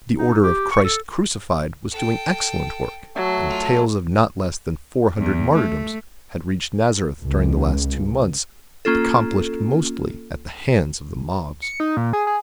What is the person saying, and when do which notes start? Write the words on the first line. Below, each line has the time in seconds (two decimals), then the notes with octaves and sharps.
The Order of Christ Crucified was doing excellent work, and the tales of not less than four hundred martyrdoms had reached Nazareth during the last two months, accomplished mostly at the hands of the mobs.
0.18 D#4
0.42 G4
0.71 C#6
0.84 A4
1.91 A4 G5
3.15 F#3 A3
3.49 F4 A4 C#6
5.18 E2
5.55 A3
7.21 C#2
8.85 A#3 C#4 F4 A4
11.62 C#7
11.80 D#4
11.97 A#2
12.13 G#4
12.27 G#4